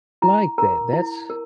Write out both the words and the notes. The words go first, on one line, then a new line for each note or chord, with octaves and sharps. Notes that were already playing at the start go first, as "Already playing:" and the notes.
Like that. That's
E4 A#5
A#4 A#5
E4
A#4